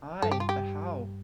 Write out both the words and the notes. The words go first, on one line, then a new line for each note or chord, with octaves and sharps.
Ay, but how?
G2 A4
G4
F4
G4